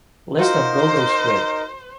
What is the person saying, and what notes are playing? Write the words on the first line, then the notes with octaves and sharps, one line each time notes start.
List of Go Go Squid!
D#4 F4 F#4 A#4 C5 F#5